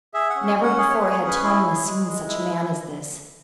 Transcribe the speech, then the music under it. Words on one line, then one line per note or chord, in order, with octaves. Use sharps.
Never before had Tonia seen such a man as this.
G#4 E5
F#5
C#4
G#5
C#4
F#5
G#4
C#5
B4
G#4
C#5
C#4
B4
E4 G#4
G#4
G#3
G#3
E4